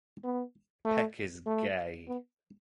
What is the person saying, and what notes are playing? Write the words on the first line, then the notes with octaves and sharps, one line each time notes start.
Peck is gay.
B3
A3
A3
B3